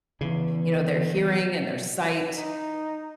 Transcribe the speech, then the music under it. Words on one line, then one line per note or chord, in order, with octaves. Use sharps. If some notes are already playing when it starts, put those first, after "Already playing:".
you know, their hearing and their sight
E2 C#3
D#4